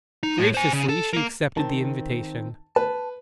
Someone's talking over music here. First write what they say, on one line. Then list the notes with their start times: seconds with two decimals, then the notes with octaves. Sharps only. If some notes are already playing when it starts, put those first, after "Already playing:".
Graciously she accepted the invitation.
0.23 D#4
0.38 A2
0.54 C5 G#5
0.73 C#3
0.89 A4
1.13 A#3 A#4
1.57 D#3 C4 A5
2.76 B4 A5